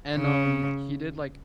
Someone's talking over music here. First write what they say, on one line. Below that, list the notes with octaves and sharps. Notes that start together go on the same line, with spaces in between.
And, um, he did like
C#3